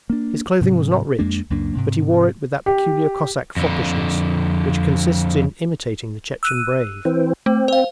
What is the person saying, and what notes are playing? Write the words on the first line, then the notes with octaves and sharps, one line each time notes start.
His clothing was not rich, but he wore it with that peculiar Cossack foppishness which consists in imitating the Chechen brave.
A#3 D4
G#2 C3 F#3
F2 G#3 A#3 D4
C#2 F#2 A#3 D4
G#2 C3
G4
F2 D3
E6 F#6 D#7
E3 C4
A3 C4
C5 F5